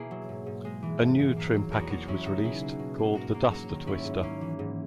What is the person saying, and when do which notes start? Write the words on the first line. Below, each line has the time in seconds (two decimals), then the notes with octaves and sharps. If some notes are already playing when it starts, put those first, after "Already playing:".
A new trim package was released, called the Duster Twister.
Already playing: B2 A#3 E4 G#4
0.11 F#3
0.29 G#2
0.46 G#2
0.65 G#3
0.83 E3
1.01 G#2
1.19 G#2
1.36 A#3
1.54 F#3
1.72 E2 F#4 A#4
1.90 A#3 F#4 A#4
2.08 F#3 C#4 E4
2.26 C#3 D#4 F#4
2.43 B2 E4 G#4
2.62 A#3
2.79 B2
2.98 A#3
3.13 G#2 F#4 A#4
3.34 A#3
3.51 F#3 F#4 A#4
3.69 D#3
3.86 G#2 C#4 E4
4.05 G#2
4.23 A#3 C#4
4.41 E3
4.59 G#2